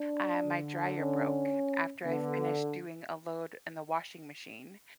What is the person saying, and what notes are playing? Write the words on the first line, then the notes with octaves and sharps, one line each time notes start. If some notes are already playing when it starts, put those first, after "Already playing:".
Uh, my dryer broke after I finished doing a load in the washing machine,
Already playing: D4
D3
C#4
D3 B3